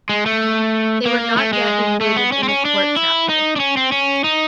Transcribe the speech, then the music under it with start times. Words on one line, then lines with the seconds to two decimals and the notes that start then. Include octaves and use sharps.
They were not yet included in the court chapel.
0.09 G#3
0.26 A3
1.06 A#3
1.37 A3
1.53 G#3
2.01 A3
2.16 B3
2.32 C#4
2.43 C4
2.49 C#4
2.65 D4
2.96 E4
3.29 D#4
3.56 D4
3.60 C#4
3.77 C4
3.92 C#4
4.24 D#4